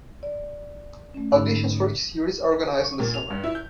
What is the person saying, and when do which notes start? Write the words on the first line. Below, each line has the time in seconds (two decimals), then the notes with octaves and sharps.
Auditions for each series are organized in the summer.
0.23 D5
1.14 A3 C#4
1.32 G#2 D3 D#4 B5 E6
2.84 C#6
3.00 A#2
3.14 F7
3.30 G2
3.44 E4
3.55 G6